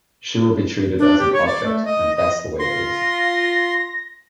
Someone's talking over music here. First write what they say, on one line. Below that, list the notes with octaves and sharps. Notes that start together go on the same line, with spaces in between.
She will be treated as an object and that's the way it is.
D4
G4
C#5
D5
A3
D#5
D#5
F4 C6 A#6